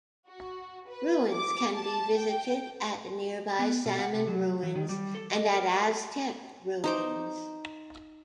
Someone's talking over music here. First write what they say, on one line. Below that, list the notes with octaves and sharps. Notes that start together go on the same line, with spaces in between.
Ruins can be visited at nearby Salmon Ruins and at Aztec Ruins.
F#4
B4
D6
A5
G5
B3
B2
F#5
C3
F#3
E3
D#3
G3
A4
D#5
A#4
D#4 C5 D6